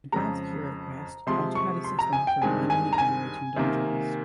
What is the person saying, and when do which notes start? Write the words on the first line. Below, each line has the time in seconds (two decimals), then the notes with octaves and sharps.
Advanced HeroQuest also had a system for randomly generating dungeons.
0.12 F2 C#3 F3 G#3 A#5
1.27 C3 F3 G#3 C6
1.55 C#6
1.84 C6
1.99 A#5
2.13 G#5
2.27 G5
2.41 G2 D#3 G#3 C4 G#5
2.70 G#5
2.93 A#5
2.98 G#5
3.56 C3 D#3 A#3